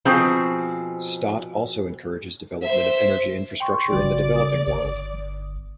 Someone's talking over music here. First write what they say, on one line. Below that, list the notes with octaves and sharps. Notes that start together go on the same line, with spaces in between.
Stott also encourages development of energy infrastructure in the developing world.
B2 F3 C4 G#4
C5 E5
G5 C6 C#6
G#1 C#3 G3 F#4 D5
D#6
G1